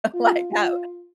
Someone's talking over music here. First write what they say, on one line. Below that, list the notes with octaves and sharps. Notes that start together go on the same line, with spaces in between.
like, have
F4
F4